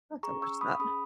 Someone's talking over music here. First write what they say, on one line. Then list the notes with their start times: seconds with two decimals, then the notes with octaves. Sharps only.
I'll have to watch that.
0.23 C#4 G#4 A#5 C#6
0.42 C#6 E6
0.61 B5 D#6
0.79 C#4 G#4 B5 D#6